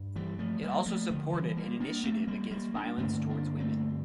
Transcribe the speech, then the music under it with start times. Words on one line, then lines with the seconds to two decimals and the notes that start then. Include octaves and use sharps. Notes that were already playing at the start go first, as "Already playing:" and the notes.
It also supported an initiative against violence towards women.
Already playing: G2
0.16 E3 G3
0.39 F3 A3
0.63 G3 A#3
0.86 F3 A3
1.10 D3 F3
1.33 E3 G3
1.57 G3 A#3
1.80 A#3 D4
2.03 A3 C4
2.27 G3 A#3
2.51 G3 A#3
2.74 A#3 D4
2.98 G2 D3 A3 C4
3.29 A#3 D4
3.60 A3 C4